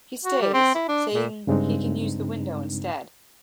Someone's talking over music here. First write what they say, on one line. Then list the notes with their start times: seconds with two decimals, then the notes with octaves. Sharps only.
He stays, saying he can use the window instead.
0.25 F#4
0.42 G3
0.53 C4
0.75 E4
0.89 D4
1.14 A#2
1.47 G2 C#3 G#3 C4 D4 D#4